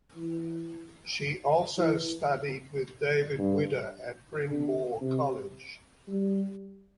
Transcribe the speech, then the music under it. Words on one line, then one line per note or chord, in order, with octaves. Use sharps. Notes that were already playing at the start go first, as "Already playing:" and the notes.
She also studied with David Widder at Bryn Mawr College.
E3
E3
G2
D3
C3
G3